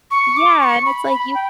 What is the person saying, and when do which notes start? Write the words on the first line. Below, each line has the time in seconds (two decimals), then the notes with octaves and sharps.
Yeah, and it's, like, you
0.11 C#6
0.36 D6
0.60 C#6
0.86 B5
1.10 B5
1.35 G5